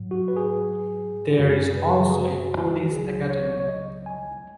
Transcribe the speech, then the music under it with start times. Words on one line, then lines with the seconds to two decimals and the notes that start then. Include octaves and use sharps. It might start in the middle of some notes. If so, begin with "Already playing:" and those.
There is also a Police Academy.
Already playing: G#2 F#3
0.11 F#4
0.28 B4
0.36 G#4
1.38 F#2 C#3 G#3 F#4
1.58 G#4
1.77 B4
1.90 F#4
1.96 G#4
2.10 G#4
2.15 F#4
2.82 F#4
2.91 C#2 C#3 F#3 G#4
3.29 C#5
3.60 C#5
3.68 D#5
4.06 G#5